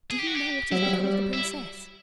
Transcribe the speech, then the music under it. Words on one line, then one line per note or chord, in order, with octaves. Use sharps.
Do you know what has become of the princess?'
G#4
G4
F#4
G4
F#3 E4
G3
F#3
G3
E4